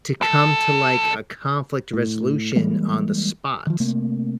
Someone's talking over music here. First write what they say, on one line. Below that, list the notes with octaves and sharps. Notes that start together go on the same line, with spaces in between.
to come to, like, a conflict resolution on the spot.
C2 A4
A2
E3 G3 G#3 A#3
D#3 F3
C3 A3 A#3